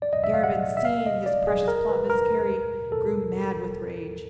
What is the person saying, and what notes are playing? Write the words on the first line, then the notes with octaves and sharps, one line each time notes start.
Garabin, seeing his precious plot miscarry, grew mad with rage.
D5
D#5
E5
F5
F#5
E5
F5
D#5
D5
G#4
A#4
B4
A#4
A4